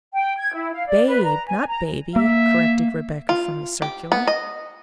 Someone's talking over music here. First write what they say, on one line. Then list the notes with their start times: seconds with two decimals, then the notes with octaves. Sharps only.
"BABE, not baby," corrected Rebecca from the circular.
0.14 G5
0.38 G#6
0.55 E4
0.72 F5
0.88 D5
1.08 B4
1.24 A#5
1.47 G#5
1.68 A#5
2.16 A#3 E5
3.29 F4
3.82 G4
4.12 B3
4.27 D#5